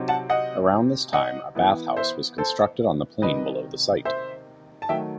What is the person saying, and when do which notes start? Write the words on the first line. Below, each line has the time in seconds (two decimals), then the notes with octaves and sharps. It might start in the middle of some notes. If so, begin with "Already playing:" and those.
Around this time a bath house was constructed on the plain below the site.
Already playing: C3 F#3 C4 D#4
0.08 F#5 A5
0.29 D#5 F#5
1.13 D#5 F#5
1.55 E3 B3 E4
1.97 C5 E5
2.38 A4 C5
3.22 C3 D#3 G3 D#4 B4 D#5
4.05 C5 E5
4.82 A5
4.89 D#3 F#3 A3 E5 G5